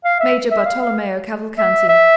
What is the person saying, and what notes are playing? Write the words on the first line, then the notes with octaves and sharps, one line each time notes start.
Major Bartolomeo Cavalcanti.
F5
E5
E5
F5
F5
E5
E5